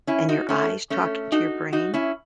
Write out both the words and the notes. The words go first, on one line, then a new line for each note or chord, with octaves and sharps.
and your eyes talking to your brain,
C#4 E4
D#4 F#4
A3 C#4
A3 C#4
D#4 F#4
D#4 F#4
C#4 E4